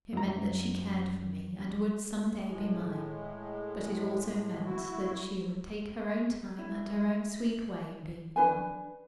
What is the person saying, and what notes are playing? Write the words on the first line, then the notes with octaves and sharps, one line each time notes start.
It meant that she cared for me, and would, some day, be mine; but it also meant that she would take her own time and her own sweet way in being won.
F#2 A#5
A2 G#3
E4 F#4
E4
D4 B4 G#5